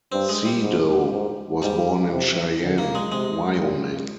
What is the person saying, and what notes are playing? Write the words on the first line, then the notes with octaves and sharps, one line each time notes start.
Siedow was born in Cheyenne, Wyoming.
G2 C4
G#3
G3
G#2
G#2
G#2 G3
C3
D3
A#3
G#3
C3 G#3
A#2